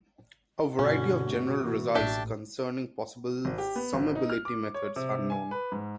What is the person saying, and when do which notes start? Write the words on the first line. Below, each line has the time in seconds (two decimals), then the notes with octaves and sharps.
A variety of general results concerning possible summability methods are known.
0.79 G2 B2 D3 C#4 F#4
1.25 A3
1.58 E3 A#3
1.95 A1 A2 D4 G4 E5
3.45 G#1
3.58 G4
3.76 B3
3.94 G#1
4.15 D#4
4.30 F6
4.45 D6
4.74 C#5
4.96 C3
5.30 G#5
5.51 B4
5.72 G#2